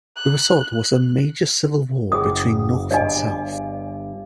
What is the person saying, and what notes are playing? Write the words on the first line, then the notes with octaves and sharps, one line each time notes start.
The result was a major civil war between north and south.
F#6
F#1 G#4 D#6
G1 G2 D5 D#5 G#5